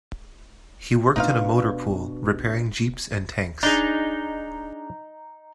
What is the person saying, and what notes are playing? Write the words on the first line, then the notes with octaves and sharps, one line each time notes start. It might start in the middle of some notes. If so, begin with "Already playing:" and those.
He worked in a motor pool, repairing jeeps and tanks.
B2 B3 D4 D#4 F4 F5
D4 D#4 G#4